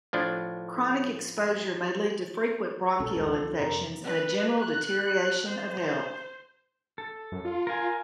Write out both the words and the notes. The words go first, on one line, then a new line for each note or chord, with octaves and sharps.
Chronic exposure may lead to frequent bronchial infections and a general deterioration of health.
A2 F3 D4
B1 A#2 C#4 A4
G1 D#2 G#3
C#2 D3 F3
F2 C3 A#4
B4
F#6
C5
A4
F#2
F4
A#4 G#5